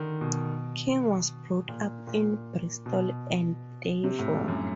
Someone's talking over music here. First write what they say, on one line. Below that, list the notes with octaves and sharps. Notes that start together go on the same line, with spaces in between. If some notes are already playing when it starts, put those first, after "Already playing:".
King was brought up in Bristol and Devon.
Already playing: D3 D#3
B2
A#2
A#2
B2
C3
A2
G2
F#2